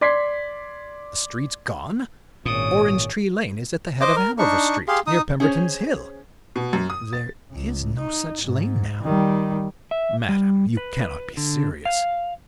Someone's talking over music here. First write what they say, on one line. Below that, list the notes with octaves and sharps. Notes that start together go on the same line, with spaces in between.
Are the streets gone? Orange-Tree Lane is at the head of Hanover Street, near Pemberton's Hill." "There is no such lane now." "Madam! you cannot be serious.
D5 C6 G#6 B6 C7
G#1 A#2 C#4 D#6
C5 D#5 D6
A#4
D4 D#4 C#6
G4 G#4 F5 C6
D#4 D#6
C#4 G#4 C5 C#5
B2
F#2
D#6
A6
C#2
D#4
G#2
D#3 G3
E5
G3
B4
D3
F5